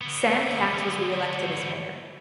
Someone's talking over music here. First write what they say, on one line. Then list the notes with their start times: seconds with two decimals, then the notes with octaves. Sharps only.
Sam Katz was re-elected as mayor.
0.01 D3 B3